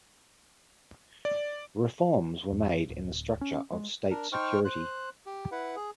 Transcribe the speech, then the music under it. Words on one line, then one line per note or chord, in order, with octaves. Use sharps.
Reforms were made in the structure of state security.
D5
F2
D1
C#4
G#3
D4 A#4
D#4 C5 G5 C#6 F6
C5 F#6
G4
E4 B4 F#5
G#4